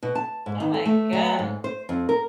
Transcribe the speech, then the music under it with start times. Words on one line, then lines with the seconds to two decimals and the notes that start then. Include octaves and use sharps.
Oh, my god.
0.03 B2
0.15 A5
0.46 G#2
0.60 D#3
0.74 A4
0.85 A3
1.13 F#3
1.39 G#2
1.64 C5
1.89 F2
2.09 A#4